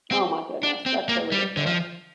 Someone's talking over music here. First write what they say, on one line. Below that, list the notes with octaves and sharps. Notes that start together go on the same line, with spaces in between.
Oh my goodness. That's so ridiculous.
C4
D4
C4
A#3
G3
D3
F3